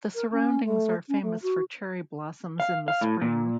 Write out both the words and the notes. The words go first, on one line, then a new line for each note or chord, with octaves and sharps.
The surroundings are famous for cherry blossoms in the spring.
A#4
C#4
A3
C#4
A3
F#4
F5
F5
A2
A#2